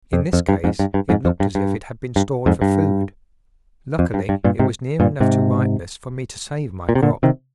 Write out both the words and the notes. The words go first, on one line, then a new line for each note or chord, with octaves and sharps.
In this case it looked as if it had been stored for food; luckily it was near enough to ripeness for me to save my crop.
F2
F2
G2
F2 G#2
G2
G2
F2 G#2
F2
G2
G2
G2
F2 G#2
G2
F2
G2
G2
G2 A#2
G#2 C3
G2 A#2
G#2 C3
A#2
C3
A#2 D3
C3 D#3